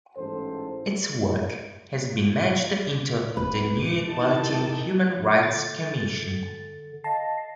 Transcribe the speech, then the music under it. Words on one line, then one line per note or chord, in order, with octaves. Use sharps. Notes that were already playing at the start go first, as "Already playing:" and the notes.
Its work has been merged into the new Equality and Human Rights Commission.
A1 G#2 A4 C5
D1 B4
D#3 E3 D#4 G4 A5
D3 A6
D#5 F5 A5